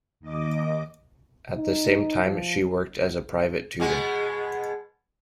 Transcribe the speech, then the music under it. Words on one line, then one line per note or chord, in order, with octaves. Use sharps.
At the same time she worked as a private tutor.
D#2 D#5 D6
D#4
F3
B2 G#3 B3